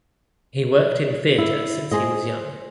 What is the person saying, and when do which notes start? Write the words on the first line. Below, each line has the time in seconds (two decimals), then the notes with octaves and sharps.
He worked in theatre since he was young.
1.38 E4
1.92 G#4 C5 D#5